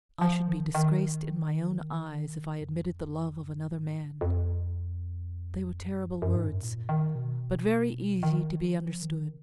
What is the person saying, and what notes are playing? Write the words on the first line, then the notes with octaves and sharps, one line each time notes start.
"I should be disgraced in my own eyes if I admitted the love of another man!" They were terrible words, but very easy to be understood.
F3
D#3
D#3
F2
F#2
G#2
F2
F#2
F#2
G#2
F#2
A#2
D#3
B2
D#3
F3
D#3